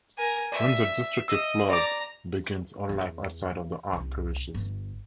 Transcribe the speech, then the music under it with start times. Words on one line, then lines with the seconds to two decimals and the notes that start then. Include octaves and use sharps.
When the destructive flood begins, all life outside of the ark perishes.
0.17 A#4 G#5
0.52 D5 E5
1.28 D#5 E6
1.70 D5 A#5 D6
2.89 E2
3.93 C2
4.54 G1